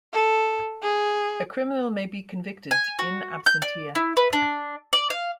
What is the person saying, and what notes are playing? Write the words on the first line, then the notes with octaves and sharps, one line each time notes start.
A criminal may be convicted "in absentia".
A4
G#4
G#5
F#4
G6
D5
E4
B4
D4
D5
F5